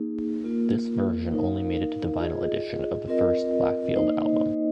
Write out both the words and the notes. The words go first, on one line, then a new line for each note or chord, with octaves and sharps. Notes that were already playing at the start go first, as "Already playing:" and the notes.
This version only made it to the vinyl edition of the first Blackfield album.
Already playing: A#3 D#4 G#4
A#3 F4 A#4
D#4 A#4 F5
F4 G#4 D#5
C4 F4 A#4 D#5
A#3 D#4 C5 D#5